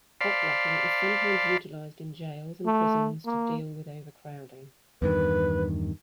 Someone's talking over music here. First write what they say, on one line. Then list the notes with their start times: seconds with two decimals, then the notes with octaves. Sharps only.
Hot racking is sometimes utilized in jails and prisons to deal with overcrowding.
0.21 C5 D5 F5 A5 B5 C6
2.66 A3
3.25 A#3
5.02 E2 G2 D#3 B4